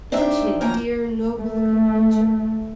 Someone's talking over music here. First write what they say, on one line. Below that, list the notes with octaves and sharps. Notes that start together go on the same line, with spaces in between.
"Isn't she a dear, noble-looking creature?"
D4 D#4 G4 C5 E5
D2 F3 A#3 C#4 G5 A#5
A3